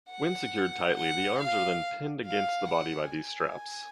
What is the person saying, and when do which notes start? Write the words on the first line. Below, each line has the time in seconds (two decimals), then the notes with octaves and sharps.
When secured tightly, the arms are then pinned against the body by these straps.
0.10 F#5
0.96 F#5
1.39 F5
2.26 F5
2.69 F#5
3.12 G#5